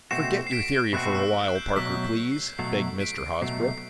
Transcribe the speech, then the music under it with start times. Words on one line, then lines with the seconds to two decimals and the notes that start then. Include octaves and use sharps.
"Forget your theory for a while, Parker, please," begged Mr. Hosbrook.
0.11 B2 A3 C4 F#4 C7 E7
0.47 C7
0.52 B6 D7
0.93 B2 A3 C4 F#4 F#6
1.15 E6
1.48 F#6
1.55 G6
1.76 B2 F#3 A3 B6
2.04 B6
2.32 C7
2.59 B2 F#3 A3 C7
3.00 B6 D7
3.42 B2 F#3 A3 C7
3.63 C7